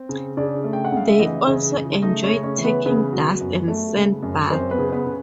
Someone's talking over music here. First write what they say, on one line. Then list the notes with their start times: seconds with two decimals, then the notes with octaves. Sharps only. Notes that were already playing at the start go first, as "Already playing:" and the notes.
They also enjoy taking dust and sand baths.
Already playing: C4
0.09 C#3
0.37 C#3 D4 D5
0.64 A3
0.73 G5
0.85 F#5
0.92 C#3 F5
1.08 E5
1.19 E3 D#4 D#5
1.47 C#3
1.74 C#3
2.02 A3 D#4 D#5
2.23 C#4 C#5
2.30 C#3
2.43 C#4 C#5
2.58 E3
2.64 B3 B4
2.85 C#3 B3 B4
3.13 F#3
3.41 F#2
3.68 A3
3.96 C#3
4.23 F#2
4.51 F#2 C4 C5
4.71 B3 B4
4.78 C#3
4.92 B3 B4
5.06 C#3